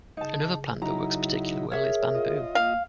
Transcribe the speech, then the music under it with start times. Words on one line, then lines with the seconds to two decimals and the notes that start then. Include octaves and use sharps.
Another plant that works particularly well is bamboo.
0.17 C#3 D#4 A5
0.82 F#3 D#4 E4 A#5
1.71 G#4 A#4 C#5 E5
2.15 F4 D#5
2.55 A#3 F5